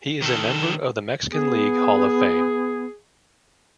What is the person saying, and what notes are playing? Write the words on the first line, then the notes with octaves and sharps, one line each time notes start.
He is a member of the Mexican League Hall of Fame.
D#3 A4
B3 G#4